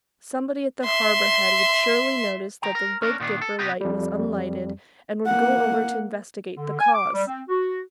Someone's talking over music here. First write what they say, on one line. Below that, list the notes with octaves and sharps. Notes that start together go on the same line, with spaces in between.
Somebody at the Harbour Head would surely notice that the Big Dipper light was unlighted and would go over to investigate the cause.
E5 C6
G5 A#5
A#4
C#4 D4 A#4
A#2 D#3 B3 D4
A4
C3 B3 F#4 G4 B4
F2 G3
A#3 F#5
D3
G#5
D6
G3
C4
F#4